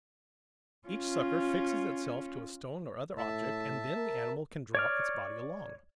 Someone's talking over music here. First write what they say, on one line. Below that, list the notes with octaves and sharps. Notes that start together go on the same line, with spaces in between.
Each sucker fixes itself to a stone or other object, and then the animal can draw its body along.
C#4 F4
A2 E5 A5
A#4
C#5 D5 F6